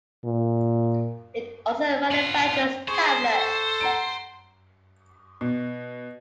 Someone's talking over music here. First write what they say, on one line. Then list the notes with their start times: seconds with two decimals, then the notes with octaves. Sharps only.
It also manufactures tablets.
0.24 A#2
2.11 B3 F4
2.88 G#4 C5 C#6
3.29 A4
3.81 F#5 A#5 D7
5.41 B2